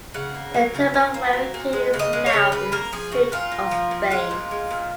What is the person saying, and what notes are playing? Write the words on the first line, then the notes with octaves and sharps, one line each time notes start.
The turban wearing king is now in the suit of spades.
C#3 F#5
A#3
F#3
C#3
A#2
A#3
F#3
A#2
G#3
C#3
D#5
G#3
C#5
C#3
C#3 B4
A#3 A#4
F3 G#4
C#3 F#4
A#2 F4
A#3
F3
A#2
G#3 F4
A#2
G#3
A#2